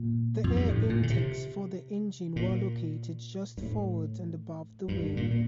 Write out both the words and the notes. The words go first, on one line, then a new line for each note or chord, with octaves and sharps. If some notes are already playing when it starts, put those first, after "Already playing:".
The air intakes for the engine were located just forwards and above the wing.
Already playing: A#2
F2
G2
A2
A#2
D3
C3
A#2
G2
A2
G2
G2
A#2
A#2